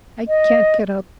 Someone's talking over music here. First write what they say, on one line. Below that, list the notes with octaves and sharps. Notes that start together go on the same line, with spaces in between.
I can't get up!
D#5